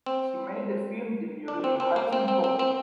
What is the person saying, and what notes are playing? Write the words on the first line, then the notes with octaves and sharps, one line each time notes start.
She made her film debut in "Hudson Hawk".
C4
D4
C4
C4
A#3
C4
C4
C4
C4